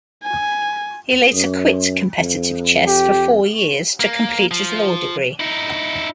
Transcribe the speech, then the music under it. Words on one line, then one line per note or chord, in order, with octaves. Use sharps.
He later quit competitive chess for four years to complete his law degree.
G#5
F#2
F2
G4
A#3
F3
D#4 E4